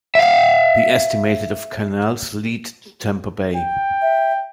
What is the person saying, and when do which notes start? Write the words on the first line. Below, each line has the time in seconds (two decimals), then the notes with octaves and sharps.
The estimated of canals lead to Tampa Bay.
0.15 E5 F5
3.56 G5
4.02 E5